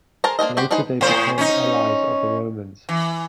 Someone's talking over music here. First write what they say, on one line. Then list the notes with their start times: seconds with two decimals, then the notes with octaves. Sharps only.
Later they became allies of the Romans.
0.24 G#4 A#4 C5 A5 A#5
0.39 A#3 D4 C5 D#5
0.57 C4 F#4 G4 C5
0.71 D4 D#4 G#4 B4 C5
1.01 A2 C5
1.38 C#4 D#4
2.89 E3